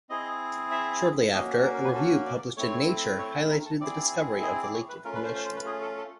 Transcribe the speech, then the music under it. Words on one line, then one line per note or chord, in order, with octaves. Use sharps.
Shortly after, a review published in "Nature" highlighted the discovery of the leaked information.
C4 E4 G#4 D#5
E5
A#3 C#4 F#4 D#5
A#4
A#4
B4
A4
D5
A3 C4 E4 C#5
C#5
G#4
A#4
A4
C4 E4 G#4 D5
D#5
D5
C#5
B4
A3 C#4 F4 A#4
B4
C5
C5
C5
B4
G#4
A4
A4